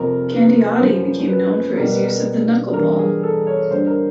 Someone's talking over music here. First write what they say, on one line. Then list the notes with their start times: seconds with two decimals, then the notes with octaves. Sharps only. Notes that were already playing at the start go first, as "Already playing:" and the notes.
Candiotti became known for his use of the knuckleball.
Already playing: F2 C3 F3 A#4
0.31 B4
0.76 B4
0.80 F#2 C#3 F3 C5
1.29 B4
1.77 B2 G3 A#4
1.90 B4
2.04 A#4
2.74 G2 E3 G3 A#4
2.99 G#4
3.23 A4
3.47 C#5
3.71 G2 D3 G3 C5
3.87 A#4